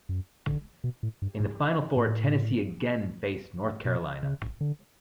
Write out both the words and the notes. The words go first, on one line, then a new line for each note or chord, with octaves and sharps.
In the Final Four, Tennessee again faced North Carolina.
F#2
D3
B2
A2
G2
A2
A2
B2
C#3
D3